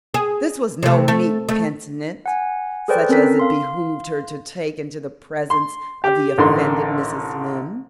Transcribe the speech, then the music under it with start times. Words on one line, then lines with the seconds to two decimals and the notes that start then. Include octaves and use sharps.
This was no meek penitent such as it behooved her to take into the presence of the offended Mrs. Lynde.
0.14 G#4
0.83 C3 A3
1.08 A3
1.49 A3
2.26 F#5 G#5
2.88 G#4 A4 B4 C5 D5 G5
3.09 C4 C#4 A4 A#4 B6
3.39 F5 C6
5.50 C6
6.04 G4
6.38 A1 D3 D#3 C6